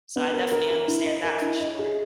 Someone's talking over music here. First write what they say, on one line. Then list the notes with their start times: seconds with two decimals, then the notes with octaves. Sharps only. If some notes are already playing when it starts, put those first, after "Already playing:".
so I definitely understand that for sure.
0.16 B3
0.34 A#4
0.52 A#4
0.70 A#4
0.88 E4
1.06 D#5
1.24 A#4
1.42 E4
1.60 D#5
1.79 G#4